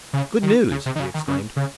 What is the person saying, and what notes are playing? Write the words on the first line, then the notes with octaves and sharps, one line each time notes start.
"Good news!" he exclaimed.
C#3
D#3
C#3
C3
D#3
C#3
D#3
C#3
C#3